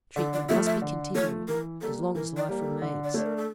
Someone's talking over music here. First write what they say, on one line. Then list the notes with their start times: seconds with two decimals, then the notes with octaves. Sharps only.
Treatment must be continued as long as life remains.
0.16 D3 A4
0.33 D5
0.49 F3 A3 E5
0.66 E5
0.82 D3
1.15 F3 A3 C#5
1.48 E3 A#4
1.81 G3 A#3 A4
2.15 E3 A#4
2.37 D5
2.49 G3 A#3
2.59 A4
2.82 D3
3.04 D5
3.14 A3 D4 C#5
3.26 A#4
3.37 A4